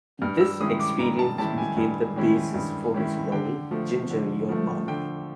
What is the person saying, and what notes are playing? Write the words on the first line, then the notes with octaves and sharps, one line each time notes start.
This experience became the basis for his novel "Ginger You're Barmy".
G2 F6
E6
D#3 G#3 C#4 E4 D#6
D6
G2 A#5
A5
D#3 G#3 C#4 E4 A5
G#5
G2
D#3 G#3 C#4 E4
G2
D#3 G#3 C#4 E4
D3 G5
F3 A3
D3
F3 A3
D3 G5